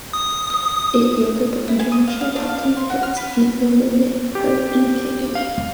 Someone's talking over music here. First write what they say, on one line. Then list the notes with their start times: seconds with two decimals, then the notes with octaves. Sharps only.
It yielded the international top-ten hits "Ain't No Other Man", "Hurt" and "Candyman".
0.13 D#6
1.68 E4
1.80 G#5
1.92 D#6
2.07 F5
2.21 F5
2.36 D4
2.49 F5
2.77 C6
2.90 F#4
3.03 F6
3.17 B4
4.35 G4
5.35 F5